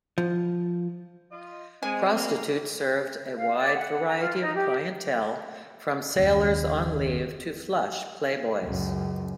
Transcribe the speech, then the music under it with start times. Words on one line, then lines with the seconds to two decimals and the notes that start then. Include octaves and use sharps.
Prostitutes served a wide variety of clientele, from sailors on leave to flush playboys.
0.18 F3
1.32 F4 D#5
1.83 G#3 C4 G#5
2.15 A#3
3.36 F5
3.58 D5
3.74 F#5
4.07 A#5
4.20 F4
4.41 D#4
4.55 G4
6.16 F#1 D#2
8.61 C#2 F#2